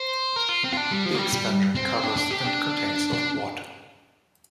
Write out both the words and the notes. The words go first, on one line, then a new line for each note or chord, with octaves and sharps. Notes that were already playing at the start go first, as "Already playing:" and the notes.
The expansion covers and contains of water.
Already playing: C5
A#4
F4
C4
F4
D4
G3
F3
A#3
G3
G3
C4
D4
D4
G4
D4
D4